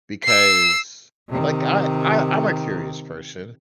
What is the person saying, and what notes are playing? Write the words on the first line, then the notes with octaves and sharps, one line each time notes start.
because, like, I I I'm a curious person,
E6 C7
C3 D#3